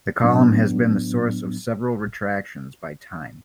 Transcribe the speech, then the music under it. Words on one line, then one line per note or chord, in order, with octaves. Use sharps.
The column has been the source of several retractions by "Time".
A2 F#3 B3 D4